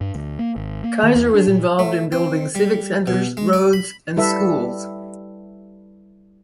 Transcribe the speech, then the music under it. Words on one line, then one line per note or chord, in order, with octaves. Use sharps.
Kaiser was involved in building civic centers, roads, and schools.
G2
D2
A#3
G#1
A#3
D#3
E2
D4
A#2
A3
C4
G3
B2
G#3
D5
B5
G3 E4 A4 B4 E5